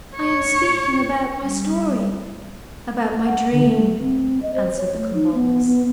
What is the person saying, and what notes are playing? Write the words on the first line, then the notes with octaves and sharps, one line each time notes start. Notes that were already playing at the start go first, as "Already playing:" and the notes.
"I am speaking about my story--about my dream," answered the Convolvulus.
C#5
G3
F#5
D3
A3
C4
D#5
C5
C#5
A3
D#4
B3
B3